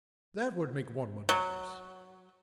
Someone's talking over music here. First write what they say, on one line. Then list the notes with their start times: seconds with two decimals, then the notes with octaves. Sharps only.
That would make one monotonous.
1.29 F#3